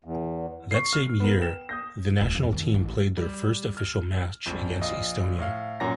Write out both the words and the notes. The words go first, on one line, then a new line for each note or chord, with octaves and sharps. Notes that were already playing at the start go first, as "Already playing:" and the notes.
That same year the national team played their first official match against Estonia.
E2
C#6 C7
F6
B3 A#4
G5 E7
D#6 G6 A#6
D1
F2
D#2
A1
G3
F6
A#1 F2
A#1 F4 D#5
A2 F5
F#2 A#2 C#4 F#5 A#5 A#6